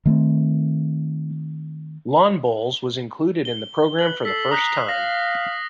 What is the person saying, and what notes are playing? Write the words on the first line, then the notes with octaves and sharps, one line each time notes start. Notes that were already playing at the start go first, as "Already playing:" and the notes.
Lawn bowls was included in the program for the first time.
D#3 A3 A#3 C4
G7
B4 F#7
A4 B6 C7
A#5 D#6 F#6 B6
F5 A#6